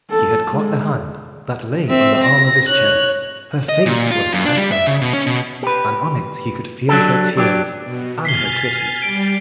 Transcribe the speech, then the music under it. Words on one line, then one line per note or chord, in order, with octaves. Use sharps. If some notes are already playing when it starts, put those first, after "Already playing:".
She had caught the hand that lay on the arm of his chair, her face was pressed on it, and on it he could feel her tears and her kisses.
A4
G#3
C4 E5
A#6
C#5 F#6
D#5
A#2
F4
F#2
D4
G3
E5
C#3
B2
C#4
B2
G4 B4
F#3 D4 G4 A4
F#3 D4 G4
B2
G#5 F6 A6 B6 C7 G7
G3 D7